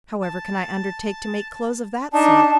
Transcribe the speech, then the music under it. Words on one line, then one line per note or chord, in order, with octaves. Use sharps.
'However can I undertake to make clothes of that sort?
A5
D4 D#4 A5